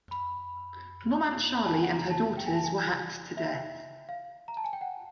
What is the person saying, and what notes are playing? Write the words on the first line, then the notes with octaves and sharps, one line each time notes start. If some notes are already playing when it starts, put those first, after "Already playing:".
Nomantshali and her daughters were hacked to death.
B5
B5
A5
G#5
F#5
A#5
A5
G5
G#5
A5
G#5
E5
F5
A#5
A5
G#5
G5
F#5